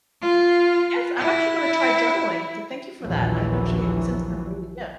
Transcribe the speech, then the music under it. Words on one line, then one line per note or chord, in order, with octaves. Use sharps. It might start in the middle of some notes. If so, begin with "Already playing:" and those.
Yes. I'm actually gonna try journaling. Th thank you for that. I am actually it sounds like a great idea.
F4
E4
A#1 D#2 E3 F#3